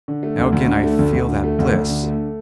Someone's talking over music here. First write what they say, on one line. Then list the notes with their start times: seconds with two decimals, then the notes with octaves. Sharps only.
Now again I feel that bliss.
0.08 D3
0.23 A3
0.38 D2
0.52 D2
0.68 D3
0.83 A3
0.99 D2
1.13 D2
1.29 D3
1.44 A3
1.59 D2
1.74 D2
1.89 D3
2.03 A3